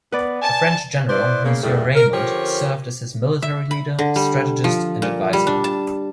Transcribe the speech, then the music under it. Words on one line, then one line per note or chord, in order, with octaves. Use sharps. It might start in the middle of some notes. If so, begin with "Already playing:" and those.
A French general, Monsieur Raymond, served as his military leader, strategist and advisor.
B3 B4 D5
G#5 A5
B3 E4 B4 C5 D5
C#3 A#3
E2 G2 A3
A#4
D3 F3 C#4 G4 A#4 C#5
E5
B5
D3
G3
F3
A#2
G3
D4
A5